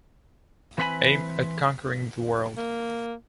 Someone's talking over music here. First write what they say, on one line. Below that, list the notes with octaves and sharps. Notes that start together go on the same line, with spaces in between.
Aim at conquering the world.
E3 C4 B4 F#5 G#5 B5
A#3